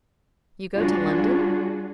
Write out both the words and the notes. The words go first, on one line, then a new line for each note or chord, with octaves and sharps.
"You go to London?"
G3 D4 F4 F#4 G#4